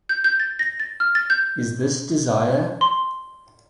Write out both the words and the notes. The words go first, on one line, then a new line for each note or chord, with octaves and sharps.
Is This Desire?
G6
G6
A6
A#6
A6
F6
A6
G6
C6